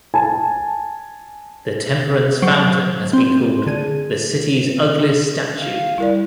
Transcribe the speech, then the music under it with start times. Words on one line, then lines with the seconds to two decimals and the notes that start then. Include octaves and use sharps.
The Temperance Fountain has been called "the city's ugliest statue".
0.14 G#5 A5
2.42 F#3 C5 C#6 D7
3.13 C4
3.67 D3 G#4 D#7
5.58 F5
5.98 G3 E4 A#4 D5